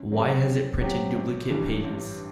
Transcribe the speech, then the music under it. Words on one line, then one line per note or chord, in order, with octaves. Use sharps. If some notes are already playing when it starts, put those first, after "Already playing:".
Why has it printed duplicate pages?
Already playing: F#2
F#3 C4 G4
F#2
F#3 C4 G4
A1
G2 E3 G3
A1